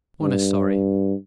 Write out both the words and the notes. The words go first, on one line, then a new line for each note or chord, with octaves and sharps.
One is sorry.
G2